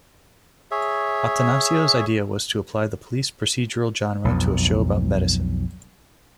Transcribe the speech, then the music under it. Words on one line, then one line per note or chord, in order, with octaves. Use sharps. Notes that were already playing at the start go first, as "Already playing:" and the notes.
Attanasio's idea was to apply the police procedural genre to a show about medicine.
G#4 C#5 E5
B1 F2